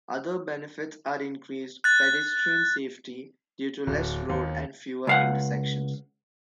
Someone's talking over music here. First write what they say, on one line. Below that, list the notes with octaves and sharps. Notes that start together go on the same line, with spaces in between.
Other benefits are increased pedestrian safety due to less road and fewer intersections.
F#6 A6
D1
D#2
C#2 F5 F#5